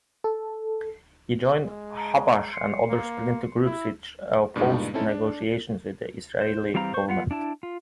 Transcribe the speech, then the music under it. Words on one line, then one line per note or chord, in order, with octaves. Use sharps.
He joined Habash and other splinter groups which opposed negotiations with the Israeli government.
A4
G#3
A5 A#5
C6 C7 C#7
A#3
E4 E6
G2 A#2 C#3 G#3 D#4
C4 C#4 D#4 E4 A4
D4
C5
E3 G3 C4 F5 A#5
C5 C#6
B3 F4 F#5
D4 E4 A5
F4